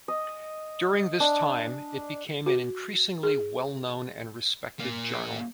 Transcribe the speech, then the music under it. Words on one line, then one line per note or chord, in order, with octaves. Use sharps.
During this time, it became an increasingly well-known and respected journal.
D#5
D4
F#4
G#4
A#2 A#3